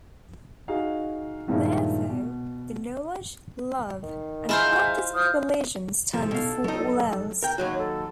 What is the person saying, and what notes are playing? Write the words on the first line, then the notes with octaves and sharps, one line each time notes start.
Therefore, the knowledge, love and practice of religion stand before all else.
D#4 F#4 G#4 D#5 F5
G2 A#2 D#3 F3 G#3 E4
B2
D#3
G#3 E4 F4 C5 E5 G#5 A#5
F3 D#6 F6 G6
C3 F3 A4
B2 F5
F#3 D#4
A#4 G5
D#2 F#3 F#4 C#5
A4